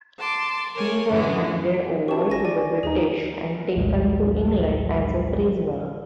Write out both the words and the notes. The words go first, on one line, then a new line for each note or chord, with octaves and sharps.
He was handed over to the British and taken to England as a prisoner.
A5 C6 D6
A#4 C#5 G#5
F#2 A2 D3 E3 G#3 B3
C#4 F#4 G4 A5 C#6
A1 G#5 A#6
D5 G#5
D#2 D#4 G#4
A#1 D#2 A2 D#3 F#3 G#3